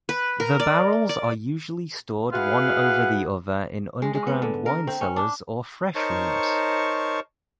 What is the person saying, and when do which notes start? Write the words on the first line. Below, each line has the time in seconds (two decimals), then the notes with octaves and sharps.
The barrels are usually stored one over the other in underground wine cellars or fresh rooms.
0.09 B4
0.40 A#4
0.60 D5
1.09 D5
2.32 E4 F#4 G#4 B4 F5 F#5
4.02 G#3
4.15 G#3
4.27 B3
4.42 D3
4.66 A#4
4.87 C4
5.01 C#4
5.16 D4
5.95 D#4 A#4 C5 C#5 A5 C#6